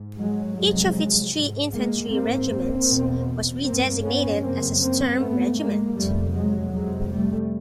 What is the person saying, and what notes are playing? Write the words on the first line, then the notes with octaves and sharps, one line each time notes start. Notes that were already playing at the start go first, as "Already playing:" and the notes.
Each of its three infantry regiments was redesignated as a "Sturm-Regiment".
Already playing: G#2
F#3 G#3
F2 C3 F#3 G#3
G#2
G#3 A#3
G#2 A#3 C4
A#3 C4
E2 B2
G2 A#3 C4
B3 C#4
F#2 C#3 A#3 C4
A#3 C4
G#2 A3 B3
G#3 A#3
F2 C3 G3 A3
F#3 G#3
F2 C3 F#3 G#3
G3 A3